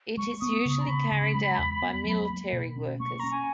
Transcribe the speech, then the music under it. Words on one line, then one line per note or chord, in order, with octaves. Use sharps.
It is usually carried out by military workers.
G#3 C#6
B3 D#6
C#3 C#6
A#5
C#3 B5
C#3
G#3
E2
B3
F#3
A#3
B2
C#4
A#3 C#6
C#4 A#5
G#5